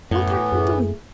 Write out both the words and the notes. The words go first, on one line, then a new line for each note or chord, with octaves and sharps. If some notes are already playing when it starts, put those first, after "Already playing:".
"What are you doing?"
F#2 A2 E3 B3
F#2 A3 E4 G#4